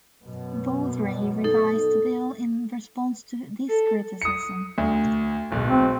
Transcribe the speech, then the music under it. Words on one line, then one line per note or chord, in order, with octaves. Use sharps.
Vodrey revised the bill in response to this criticism.
F#2 B2
D#4 A4
A4
D#6 C#7
D2
D1 B1 G#3
C4